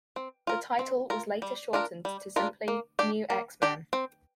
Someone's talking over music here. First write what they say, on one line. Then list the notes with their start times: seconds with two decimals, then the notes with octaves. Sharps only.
The title was later shortened to simply "New X-Men".
0.16 C4
0.47 F4 A#4
0.79 C4
1.10 F4 A#4
1.42 G3
1.73 D4 F4 A#4
2.05 G3
2.36 D4 F4 A#4
2.68 A#3
2.99 D4 G4 D5
3.30 A#3
3.62 D4 G4 D5
3.93 C4